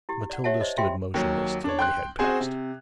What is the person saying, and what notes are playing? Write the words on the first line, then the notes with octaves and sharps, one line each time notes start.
Matilda stood motionless till they had passed.
E4 G4
D5 F#5
G4 C#5 E5 F#5 A5
C5 D5 D#5
F4 G4 E5 G5 G#5 C6
D#2 F#3
D4 C#5
G5 C6 F#6
C4 F#4 G#4 C5 G#5
C3